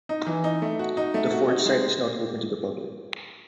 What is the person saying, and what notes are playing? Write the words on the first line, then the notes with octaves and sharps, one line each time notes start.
The fort site is not open to the public.
D#4
E3
D#4
A3
F#4
D#4
A3
F#4
D#4
G#3